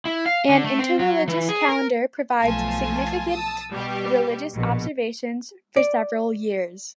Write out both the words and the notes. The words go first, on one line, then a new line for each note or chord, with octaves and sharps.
An inter-religious calendar provides significant religious observations for several years.
E4
F5
D3
A3
C4
F#3
E3
G#4
A#4
B1 F3 A3 F4 G#5 A5
A5 D#6 E6
B2 G3 G4
A#1 B2
D5